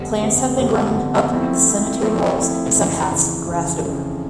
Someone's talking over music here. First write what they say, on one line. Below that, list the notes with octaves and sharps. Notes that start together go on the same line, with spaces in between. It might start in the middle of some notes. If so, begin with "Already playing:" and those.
Plants have been grown up the cemetery walls and some paths grassed over.
Already playing: F2 D3 G3 B3
F2 D3 G3 B3
F2 D3 G3 B3
F2 D3 G3 B3
F3 A3 C4 E4
F3 A3 C4 E4
F3 A3 C4 E4
F3 A3 C4 E4
F2 C#3 E3
F2 C#3 E3
F2 C#3 E3
F2 C#3 E3